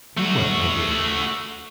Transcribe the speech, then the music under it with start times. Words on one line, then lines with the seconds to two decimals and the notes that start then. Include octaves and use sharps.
"Knew what, my dear?"
0.17 A3 F#4